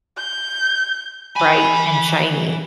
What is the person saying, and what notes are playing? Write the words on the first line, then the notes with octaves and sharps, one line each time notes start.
bright and shiny.
G6
E3 G#5 B5